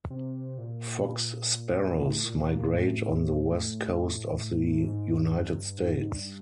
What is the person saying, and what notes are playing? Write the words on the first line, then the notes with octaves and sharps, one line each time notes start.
Fox sparrows migrate on the west coast of the United States.
C3
A#2
A2
A#2
A#2
A2
G#2
G2
G#2
G2